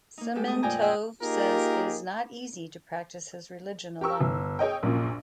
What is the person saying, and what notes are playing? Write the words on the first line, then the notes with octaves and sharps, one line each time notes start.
Simintov says it is not easy to practice his religion alone.
A#3 D#4
G#3 A3 G4 A4
D#6
F2 A#2 D5 G5 G#5 A#5
G#4 D#5 E5 G5 C6 G6
A#3 D#4 F4 G4 G#4 A#4
G4 A#4 C#6 E6
G1
G#4 C#5 D#5 G5
A#1 F#2 A#2